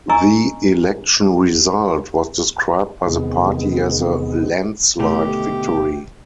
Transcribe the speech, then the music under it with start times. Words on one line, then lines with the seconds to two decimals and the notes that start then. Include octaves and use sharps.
The election result was described by the party as a landslide victory.
0.09 D4 D#5 G#5 A#5 C#6 E6
3.05 E2 C3 D#3 G#3 B3
5.00 B2 D3 D#3 A3 B3 G4